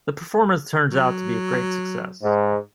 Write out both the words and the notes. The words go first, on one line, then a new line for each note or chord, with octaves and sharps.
The performance turns out to be a great success.
F#3
G#2